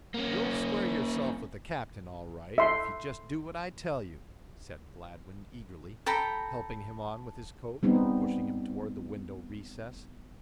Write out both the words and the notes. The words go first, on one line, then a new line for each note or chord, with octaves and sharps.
"You'll square yourself with the captain all right if you just do what I tell you," said Gladwin eagerly, helping him on with his coat and pushing him toward the window recess.
A#3 C#4
E5 C6
A4 G5 A#5 B5
G3 B3 C4 D#4